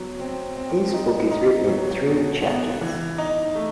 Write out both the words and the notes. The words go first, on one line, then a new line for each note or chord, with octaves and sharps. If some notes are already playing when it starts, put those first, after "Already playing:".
This book is written in three chapters.
Already playing: F#3 B3
C4
C4
D#4
D#4
F#3
B2
B3
E3
D#4
A3